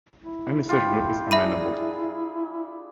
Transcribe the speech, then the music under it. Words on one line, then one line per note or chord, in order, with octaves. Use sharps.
Any such group is amenable.
E4
F4 G4 G5
D4 G#4 E5 A#5 B5 D#7